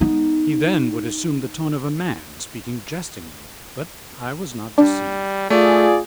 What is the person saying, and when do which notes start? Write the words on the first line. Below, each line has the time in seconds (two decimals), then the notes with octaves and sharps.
He then would assume the tone of a man speaking jestingly, but I was not deceived.
0.01 B3 D#4
4.78 G3 D4
5.50 A3 F4 G#4 D5